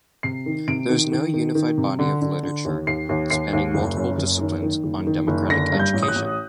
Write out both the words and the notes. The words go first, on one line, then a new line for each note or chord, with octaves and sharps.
There is no unified body of literature, spanning multiple disciplines, on democratic education.
C3 C7
D#3
C3 D7
D#3
D#3
D#3
D#3
C3
D3
D3
D3
D#2
D#2 C7
D#2
D#2 C7
D#2
F#1
F#2
F#1
D#3
D#3
F#1
D#3
F#1
D3 A#6
G2
G6
A1
D#6
F#6
A1